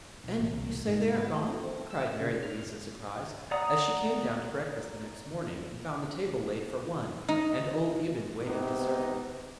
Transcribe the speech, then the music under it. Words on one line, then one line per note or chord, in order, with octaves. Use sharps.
"And you say they are gone?" cried Mary Louise in surprise, as she came down to breakfast the next morning and found the table laid for one and old Eben waiting to serve her.
B1
A1
C2
G#2
B3
A3
C4
E6
C#3
F6
D5 F#5 A#5 D#6
D#4
G#2 C3 B3 D#4